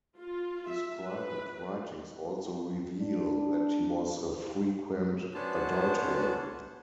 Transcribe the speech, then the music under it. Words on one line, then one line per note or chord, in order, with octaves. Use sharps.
His private writings also reveal that he was a frequent adulterer.
F4
E5
B4
D4
B3 C#4 D4 F#4 C5 A5